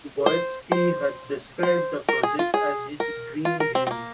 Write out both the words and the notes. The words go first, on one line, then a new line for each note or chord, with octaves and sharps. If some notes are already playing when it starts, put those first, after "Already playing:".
Boyarsky has described the project as his "dream game".
C5
C5
C5
A#4
G#4
F4
G#4
A#4
F4
A#4
C4
C4
A#3